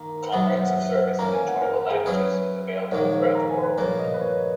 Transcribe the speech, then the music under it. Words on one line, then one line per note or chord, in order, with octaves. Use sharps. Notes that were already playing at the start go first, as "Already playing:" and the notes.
Comprehensive service in twenty-one languages is available throughout the world.
Already playing: D#3 A#3 A#5
B1 B2 F#3 B3 E5
E5
F#5
E3 A#3 C#4 A#5
G#5
F#5
A#4
G#4
F#3 C#4 E4 G#4 B4
A#1 G#2 D#3 A#3 C#5
A#5
G#5
B4
A#1 A#2 A#3 C#5
D#5
B4
C#5